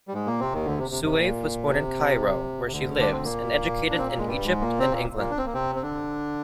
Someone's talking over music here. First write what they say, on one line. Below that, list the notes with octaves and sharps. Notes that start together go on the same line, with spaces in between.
Soueif was born in Cairo, where she lives, and educated in Egypt and England.
G3
G#2 G#3
A#2 A#3
C3 C4
D#2 D#3
D2 D3
C3
C3
C3
A#2
C3
C3
D2 D3
D4
C4
A#2 A#3
D4
C4
A#3
G#3
G2 G3
G#2 G#3
A#2 A#3
C3 C4
A#2 A#3
A#2 A#3
D4
C4
A#3
C3 C4
C4
D3 D4